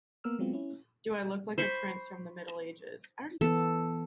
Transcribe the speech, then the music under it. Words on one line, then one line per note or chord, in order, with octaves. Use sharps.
Do I look like a prince from the Middle-Ages?
A#3 B3 A#4 E6 F6
F#3 G#3 B3 C4 F4
C#4 E4
C5 B5 C#6
E3 B3 A4